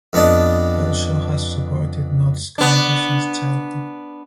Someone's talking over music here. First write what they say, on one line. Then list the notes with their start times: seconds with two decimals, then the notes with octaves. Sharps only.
Belshaw has supported Notts County since childhood.
0.13 F2 B3 D4 D#5 A5
2.58 B3 D4